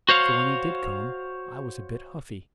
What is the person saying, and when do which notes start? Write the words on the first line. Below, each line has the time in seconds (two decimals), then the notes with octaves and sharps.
So when he did come, I was a bit huffy.
0.09 F#4 C5 C#5 F5